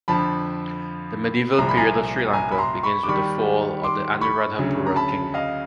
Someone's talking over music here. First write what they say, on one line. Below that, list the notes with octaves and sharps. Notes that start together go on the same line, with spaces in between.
The medieval period of Sri Lanka begins with the fall of Anuradhapura Kingdom.
F2 D3 F3 A5 B5
C2 A#2 F3 A#5
B5
G#5 A#5
G#5 A#5
B5
A#5 C6
B5 C#6
D6
D#2 D#3 G3 B5 C#6
C6 D6
B5 C#6
D2 C#3 F#3
A#5
A5 B5
D#5 F5